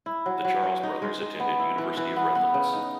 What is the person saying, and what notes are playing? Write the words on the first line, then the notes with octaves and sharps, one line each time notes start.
The Charles brothers attended University of Redlands.
E4
F#3
F#3
C#4
D#4
G#3
G#3
B3
E4
E3
E3
B3
B3
C#3
D#4